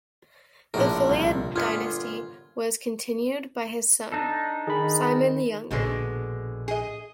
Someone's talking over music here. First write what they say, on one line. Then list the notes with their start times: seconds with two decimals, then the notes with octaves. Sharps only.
The Philaid dynasty was continued by his son, Cimon the Younger.
0.74 A#1 A2 D3 A#4
1.09 C2
1.56 G1 A#2 B3 F4 F6 G#6
4.12 D4 D#4 A4
4.67 D#3 G#4 B5
5.71 A#1 B2 D3 G#3
6.68 G#4 D#5